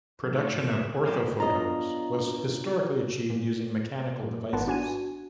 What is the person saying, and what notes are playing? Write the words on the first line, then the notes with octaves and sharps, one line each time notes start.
Production of orthophotos was historically achieved using mechanical devices.
C#3 F#3
A3 B3 D#4 F4 F#4 A4
G#2
F#2 G#3 G#4 B4 E5
D#2
F#3 C4 C#4 E4 F#4 G4
B3 D4 F4 C#5 D#5 A#5
A#2
A#2
G#1 B3 F#5 A5 C6
D4 F#4 G#5 G#6 D#7